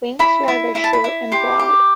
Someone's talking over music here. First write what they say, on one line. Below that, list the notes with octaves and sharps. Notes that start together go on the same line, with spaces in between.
Wings rather short and broad.
E4 B5
E4
E4 B5
A5
B5
E4
G4 C6
G4